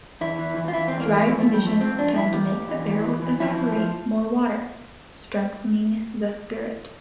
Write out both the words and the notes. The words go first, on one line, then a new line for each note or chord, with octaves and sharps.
Drier conditions tend to make the barrels evaporate more water, strengthening the spirit.
E2 E4
E3
E3
F4
E3 E4
C4
E2
A#3
E3 A3
F2 A3
A3
F2
G3
F3 A3
F2 C4
F2 D4
F2 E4
E3 G4
E2
E3
E3
E3
E3
F3 E4
F3
F3